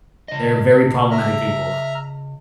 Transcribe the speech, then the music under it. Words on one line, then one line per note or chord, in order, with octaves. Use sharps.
They're very problematic people.
C#3 D#5
E5 A#5 F6